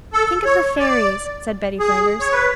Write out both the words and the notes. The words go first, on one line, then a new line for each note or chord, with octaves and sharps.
"Think of the fairies," said Betty Flanders.
A4
C#5
D5
G#4
C#5
B4